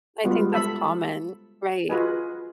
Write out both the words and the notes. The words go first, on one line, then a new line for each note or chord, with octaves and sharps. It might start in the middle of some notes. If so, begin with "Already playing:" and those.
I think that's common, right.
G3 G#3 B3 F4 F#4
A4 C5 E5 B5
F4 F#4 G#4 B4 D#5 G#5